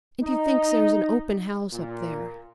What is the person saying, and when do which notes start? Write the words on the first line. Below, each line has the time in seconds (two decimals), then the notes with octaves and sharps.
"And he thinks there's an open house up there."
0.23 D#4
1.72 A#2